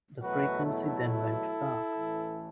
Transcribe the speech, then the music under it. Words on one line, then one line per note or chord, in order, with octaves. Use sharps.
The frequency then went dark.
E2 B2 F#3 A3 F#4 B4
E4 A4
A1 A2 E3